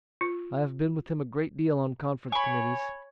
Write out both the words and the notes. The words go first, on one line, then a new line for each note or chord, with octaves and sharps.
I have been with him a great deal on conference committees.
F4
C#5 G#5 B5 C#6